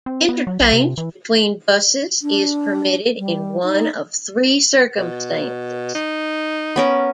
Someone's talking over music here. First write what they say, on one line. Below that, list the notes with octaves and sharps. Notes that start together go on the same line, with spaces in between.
Interchange between buses is permitted in one of three circumstances.
C4
B3
F#3
B1
C3
E3
D4
G3
D#4
B2
D#4
B3 C#4 A#4